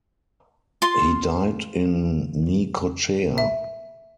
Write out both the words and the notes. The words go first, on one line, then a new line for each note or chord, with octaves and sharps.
He died in Necochea.
F4 C6
E5